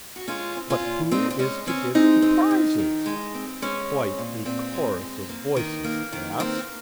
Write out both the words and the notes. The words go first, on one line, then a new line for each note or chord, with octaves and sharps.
'But who is to give the prizes?' quite a chorus of voices asked.
F#4
G#3 C#4 F4
C4
C#4 F4
A#2
A#2 C4 D#4
C4
G#3 C#4
C4 C#4
G#3 C4 D#4
C4
D#3
D#3
G#3
C4
G#3 C#4
C4
A#2
A#2 C4
G#3
C4
A#3
D#3
A#3
D#3
A#3 C4